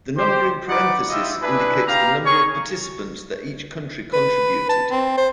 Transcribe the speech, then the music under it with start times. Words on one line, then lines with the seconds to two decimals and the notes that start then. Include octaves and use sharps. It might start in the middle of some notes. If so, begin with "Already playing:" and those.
The number in parentheses indicates the number of participants that each country contributed.
0.18 G4 C5
0.69 D#4 B4 D5 F#5 D6
1.09 E4 F4 G4 D#5 E5
1.41 D4 E4 G#4 B4
1.87 G4 F5 A#5
2.25 G#4 A#4 C#5 C#6
4.13 B4
4.69 A5
4.91 C4
5.18 C5